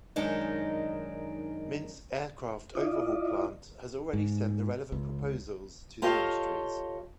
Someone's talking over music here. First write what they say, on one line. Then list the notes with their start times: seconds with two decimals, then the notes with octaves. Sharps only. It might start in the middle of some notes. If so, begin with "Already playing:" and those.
Minsk Aircraft Overhaul Plant has already sent the relevant proposals to the ministries.
0.16 F#2 D#3 G#3 D4 D#4
2.75 E4 F4 D5 D#5
4.13 G#2
4.92 C#2
6.02 F4 G4 A4 C#5 D#5 F5